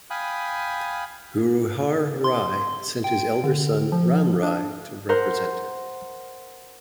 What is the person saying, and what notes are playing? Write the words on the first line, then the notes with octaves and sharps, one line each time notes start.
Guru Har Rai sent his elder son Ram Rai to represent him.
F5 G5 G#5 B5 D#6 F#6
C6
G5
D3
F3
D4
A#4 C5 F#5